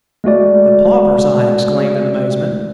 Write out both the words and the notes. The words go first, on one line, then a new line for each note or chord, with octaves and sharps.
"The paupers!" I exclaimed, in amazement.
G#3 A3 F#4 D5